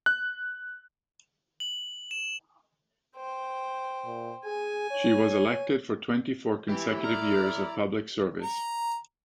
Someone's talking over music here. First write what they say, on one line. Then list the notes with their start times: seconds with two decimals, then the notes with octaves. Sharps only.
She was elected for twenty-four consecutive years of public service.
0.06 F#6
1.60 F#7
2.11 E7
3.16 C5 G5
4.05 A#2
4.45 G#4 G#5
4.91 C#5
6.69 E3 E4 G4
7.04 A4 D5 A#5 F6
8.42 A#5